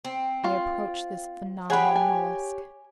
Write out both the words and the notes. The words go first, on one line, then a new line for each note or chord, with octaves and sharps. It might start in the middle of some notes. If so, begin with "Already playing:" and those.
I approached this phenomenal mollusk.
C4
F4
G4 G#4 C#5 F#5 B5
G#5